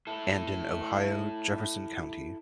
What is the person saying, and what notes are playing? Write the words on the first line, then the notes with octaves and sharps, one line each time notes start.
And in Ohio, Jefferson County.
E4 A4